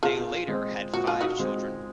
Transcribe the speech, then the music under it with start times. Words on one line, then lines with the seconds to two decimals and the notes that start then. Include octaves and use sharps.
They later had five children.
0.03 A#2 F4 G#4
0.48 G#3 C4
0.93 A#2 F#4
1.07 F4
1.21 D#4 F#4
1.39 G#3 C4